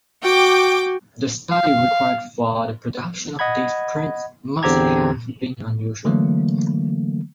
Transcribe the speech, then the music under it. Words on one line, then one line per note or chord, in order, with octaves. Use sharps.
The study required for the production of these prints must have been unusual.
F#4 G5 D6
F5
D#5 F#5 B5 G#6
E2 D3 C4 G4 A#5 G#6
D3 E3 F#3 A3 A#3